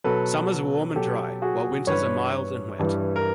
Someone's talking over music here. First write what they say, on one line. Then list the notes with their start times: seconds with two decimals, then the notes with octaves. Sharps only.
Summers are warm and dry, while winters are mild and wet.
0.04 B2 F#3 A4 B4
0.96 B2 F#3 G4 A4
1.42 F#4 G#4
1.87 G2 E3 G3 B4 C#5
2.79 G2 E3 G3
3.16 A#4